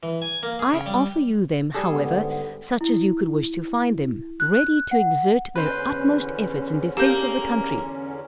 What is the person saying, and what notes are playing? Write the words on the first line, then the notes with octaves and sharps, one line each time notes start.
I offer you them, however, such as you could wish to find them, ready to exert their utmost efforts in defence of the country.
E3
G#5
A#3
G#4
C#3
G3
G3 G#4 A4
G#2 D3 B3
E4
F#6
F#5
E2 D3 C#4 B4 C5
A#3 G4 A4 G6